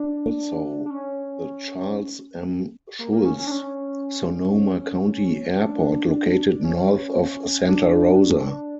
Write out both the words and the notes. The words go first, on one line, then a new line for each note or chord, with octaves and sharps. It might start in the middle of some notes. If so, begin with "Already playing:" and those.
Also the Charles M. Schulz - Sonoma County Airport located north of Santa Rosa.
Already playing: D4
D4
C#4
A#3
A#3
C#4
C#4
D4
C#4
D4
C#4
D4